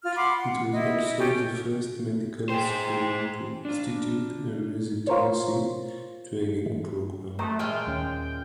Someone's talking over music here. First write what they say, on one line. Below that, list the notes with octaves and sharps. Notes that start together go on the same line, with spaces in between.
It was also the first medical school to institute a residency training program.
F4 F6
F#5 B5 C6 D6
F#5
E4 D#5
C#4 G4 A4
G#4 C5 G5
D4 F4
F4 A#4 C5 C#5
A3 C5 A#5 D#6 F#6
A#2 G#3 F4 E5 G5
D#2 C#4